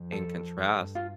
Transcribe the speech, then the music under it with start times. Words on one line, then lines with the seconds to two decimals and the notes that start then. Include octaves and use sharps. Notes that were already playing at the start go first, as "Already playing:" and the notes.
and contrast,
Already playing: F2
0.12 A4
0.68 G2
0.95 F4